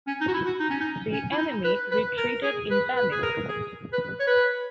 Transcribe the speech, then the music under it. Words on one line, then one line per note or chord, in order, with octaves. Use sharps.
The enemy retreated in panic.
C#4
D#4
F#4
E4
F#4
D#4
C#4
D#4
C#4
E4
D#4
B4
B4
A#4
G#4
B4
B4
G#4
A#4
G#4
B4
C#5
B4